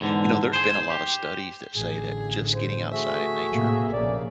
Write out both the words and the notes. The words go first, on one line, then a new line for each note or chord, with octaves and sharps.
You know, there's been a lot of studies that say that just getting outside in nature
E2 G#2 D3
G#4 C5
G4
A1 D3 G#4
C5
A3 F#4 G#4 E5
A2 C3 A#3
A#1 C#3 A#3 D5